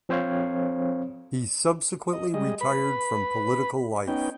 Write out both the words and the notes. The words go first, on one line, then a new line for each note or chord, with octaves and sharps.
He subsequently retired from political life.
F3 C4 C5 C#5 F5
D#5
G3 G#3 D#5
B4 B5
B3 C#4 D#4 G5